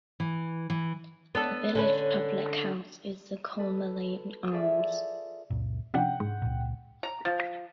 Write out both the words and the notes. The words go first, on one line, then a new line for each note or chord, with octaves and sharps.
The village public house is the Cholmeley Arms.
E3
E3
B3 D4 A4
D3 C#4 B4
A4 B4
F4 G#4 A4 D5 E5
C#2 F#2 A#2
C3 F3 C#4 D4 F#5 G5
G#2
C#2 A#2
A#5
F3